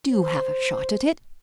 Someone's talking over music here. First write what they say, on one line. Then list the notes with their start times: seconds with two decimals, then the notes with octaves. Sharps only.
Do have a shot at it.
0.13 C5